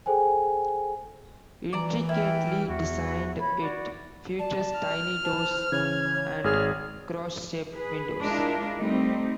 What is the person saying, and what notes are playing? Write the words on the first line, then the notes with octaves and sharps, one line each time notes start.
Intricately designed, it features tiny doors and cross-shaped windows.
G#4 A4 C5 G5 G#5
E3 D5 A#5
E4 G5 F6
E2 F#4
C#5 B5
F#4 D5
D5 A5
F6
C5 A5
C#3 E3 C#5 G#6
C#5
G#1 G#4 F6 G#6
G#4 B4
G#3 D4 E4 F4 A#4
G3 A3 C4 D#4